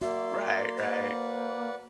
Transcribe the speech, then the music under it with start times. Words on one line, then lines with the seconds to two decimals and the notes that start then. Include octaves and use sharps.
Right, right.
0.02 A#3 F#4 D5 E5 C6
0.78 A#3 B4 C5 D5 F#5